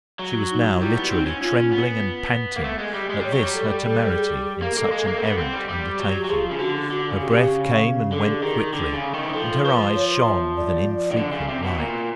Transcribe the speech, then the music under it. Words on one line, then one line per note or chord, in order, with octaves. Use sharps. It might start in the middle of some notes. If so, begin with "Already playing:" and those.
She was now literally trembling and panting at this her temerity in such an errant undertaking; her breath came and went quickly, and her eyes shone with an infrequent light.
F#3
D#4
F4
G3 E4
B3
C4 D#4
C#4
C#4 F4
B3
A#3
A3
G#3
G3 G4
G#3
G3 C#5
F#3
G3
A4
A4
A4
G#4
G4
A#3
A#3 A4
G#3
A#3
C4
B3
C4
G3
G3
F#3
G4
F#3
F3 G#4
C#3
D3 F#4
D3 F#4
C#3
G4
C#3
D3 A4
G#4
G4
D#3 G#4
D3
C#3
D#3
E3
F3 A4
F3 B4
C#5
E5
D5
D#3
D3
C#3
C3
B2
A#2